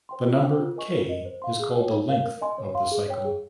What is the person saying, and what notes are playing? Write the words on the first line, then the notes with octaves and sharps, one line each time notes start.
The number "k" is called the "length" of the cycle.
C5 G5 C6
F4
C5 G5
F4
A#4 D#5 G#5 C#6
F4
A#4 D#5
C5
F5 C6
G#4
C#5 G5
D#4
A#4 F5
A#4
D#5 G#5 C6
C#5
F5 C6
G#4
C#5 G5
G#4